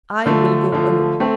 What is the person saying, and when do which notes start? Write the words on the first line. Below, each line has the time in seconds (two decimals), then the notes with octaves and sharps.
"I will go alone."
0.26 D3 F3 A3
0.72 D3 F3 A3
1.20 A3 C4